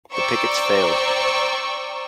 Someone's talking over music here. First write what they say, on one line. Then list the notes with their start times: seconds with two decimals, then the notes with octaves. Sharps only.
The pickets failed.
0.12 C5 D5 G5 A#5 C#6 E6